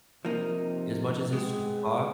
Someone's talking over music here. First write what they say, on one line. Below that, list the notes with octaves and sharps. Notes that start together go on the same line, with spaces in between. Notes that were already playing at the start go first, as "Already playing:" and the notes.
As much as it's you talk,
C3 F3 A#3 D#4
G#3 B3 C4 G#4